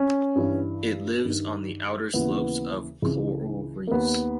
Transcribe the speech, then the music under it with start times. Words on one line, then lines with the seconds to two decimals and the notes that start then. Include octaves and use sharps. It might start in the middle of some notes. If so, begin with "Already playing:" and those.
It lives on the outer slopes of coral reefs.
Already playing: C#4
0.35 G2 E3
1.25 G2 D#3
2.14 D#2 C#3 E3 B3
3.02 C#2 C#3 E3
3.87 A#3
3.91 D#2 D#3 B3